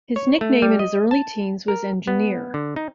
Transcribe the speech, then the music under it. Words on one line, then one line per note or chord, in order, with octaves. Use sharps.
His nickname in his early teens was "Engineer".
C#5
A3
G3
D#5
A5
A#4
B3
D3
D#4